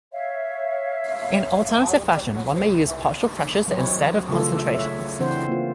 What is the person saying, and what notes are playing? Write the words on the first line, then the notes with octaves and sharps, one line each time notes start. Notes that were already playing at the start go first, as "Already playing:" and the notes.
In alternative fashion, one may use partial pressures instead of concentrations.
C#5 E5 F5
F#3 C5 C#5
C#3 A3 F4 A4
C#5 E5
C#3 E3 C4 D4 C5 F#5
A#3 F4